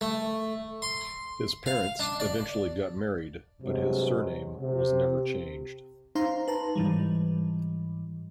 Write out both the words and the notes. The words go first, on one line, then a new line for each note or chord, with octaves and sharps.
His parents eventually got married but his surname was never changed.
A3
C6
F5
D4
D5
G2 C3 F#3 G#3
C3
D#4 C5 F5 A#5 C6
B4 A5 A#5
G#2 E3 G3